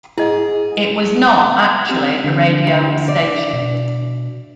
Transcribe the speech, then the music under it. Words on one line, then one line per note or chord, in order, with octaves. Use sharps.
It was not actually a radio "station".
G#2 E4 G#4 D#5
C4 G4
D3 D4
D2
D5
B2